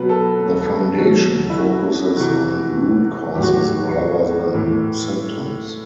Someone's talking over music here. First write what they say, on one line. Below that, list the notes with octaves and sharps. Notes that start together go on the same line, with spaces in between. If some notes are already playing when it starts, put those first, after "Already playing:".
The Foundation focuses on root causes rather than symptoms.
Already playing: B2 F#3 B4
A4
B2 F#3
E4
F#4
C3 E3 F#4
A2 F#3 G4
F#4
G4
A2 E3